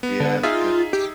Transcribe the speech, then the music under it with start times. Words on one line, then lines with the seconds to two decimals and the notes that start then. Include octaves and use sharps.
Yeah, yeah.
0.03 B3
0.20 D3
0.43 D#4 F4 G#4 E5
0.93 G4